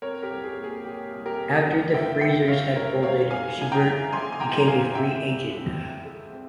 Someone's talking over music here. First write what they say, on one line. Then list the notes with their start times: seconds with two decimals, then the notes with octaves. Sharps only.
After the Freezers had folded, Schubert became a free agent.
0.02 C4 A#4 C#5
0.22 G4 A#4
0.30 C2
0.44 G#4
0.57 A#2
0.64 G#4
0.84 G#3 G4
1.12 C2
1.26 G4 A#4
1.38 A#2
1.66 C#2 G4 A#4
1.94 E3 E5 G5
2.21 C3 E5 G5
2.48 E3 C#5 F5
2.76 C#2 A#4 C#5
3.03 G3 C#5 F5
3.30 G#2 F5 G#5
3.58 E3 G#5
3.72 G5 A#5
3.86 E3
4.12 A#1 G#5 C6
4.32 G#5
4.40 E3 G5 A#5
4.61 A#5
4.67 E3 F5 G#5
4.95 C4 E5 G5
5.22 C2
5.50 C2
5.77 C2
6.05 G#3
6.32 C4